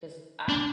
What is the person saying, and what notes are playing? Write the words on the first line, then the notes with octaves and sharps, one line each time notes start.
'Cause I
D4